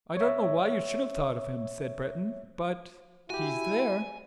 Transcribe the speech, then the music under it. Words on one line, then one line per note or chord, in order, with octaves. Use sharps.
"I don't know why you should have thought of him," said Breton. "But--he's there."
C#5 E5
E4 F#4 G4 G#5